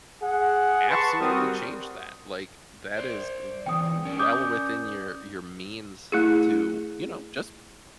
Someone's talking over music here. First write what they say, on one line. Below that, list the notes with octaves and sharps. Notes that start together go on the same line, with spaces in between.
absolutely change that, like, that is w w well within your your means to, you know, just
G#4 F#5
B4 A5 C6 C#6
G3 C4 F#4 G4 A#4 D#6
C5 D5
D3 E3 B3 G5 D#6
C#4 A#4 D5
D6 D#6 G6
A3 E4 G#4